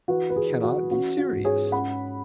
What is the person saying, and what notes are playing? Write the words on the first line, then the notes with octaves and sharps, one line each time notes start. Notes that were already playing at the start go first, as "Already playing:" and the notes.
"You cannot be serious."
E3 F#4 B4
B4
G#4
E3
F#4
C#4 F#4
F#4
G#2
G#4 C#5
C#4 F#5 B5